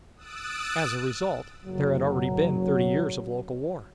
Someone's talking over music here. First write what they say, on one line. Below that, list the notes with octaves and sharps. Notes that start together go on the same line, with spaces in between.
As a result there had already been thirty years of local war.
D#6 E6 F#6 A6 D7
F#1 F#3